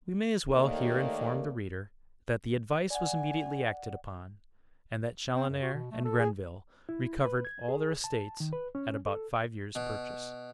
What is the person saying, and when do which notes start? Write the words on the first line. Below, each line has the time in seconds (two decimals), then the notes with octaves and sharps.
We may as well here inform the reader that the advice was immediately acted upon, and that Chaloner and Grenville recovered all their estates at about five years' purchase.
0.53 D#2 D#3 A3 A#3 G4 D5
2.90 D5 F#5 G#5
5.35 C4
5.49 F#2
5.62 F#4
5.73 B2
5.91 A3
6.05 A4
6.19 G#4
6.89 E4
7.25 B4
7.45 G#6
7.68 G#4
8.04 A5
8.40 D#3
8.53 B4
8.75 C#4
9.06 A4
9.75 B2